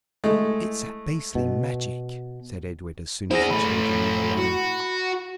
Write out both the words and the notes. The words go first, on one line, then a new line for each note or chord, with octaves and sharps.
"It's that beastly magic," said Edred as soon as the children were alone.
G#3 A3 E4
B2
E4 G#4 C5 A#6
E3 A3 B5
F#4